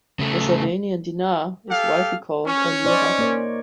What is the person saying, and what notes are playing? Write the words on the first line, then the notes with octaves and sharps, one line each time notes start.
The Jordanian dinar is widely called a "lira".
C#3 A3
G4 A4 F5
C#4
D#4 C5 D5
A#3 A#4 C#5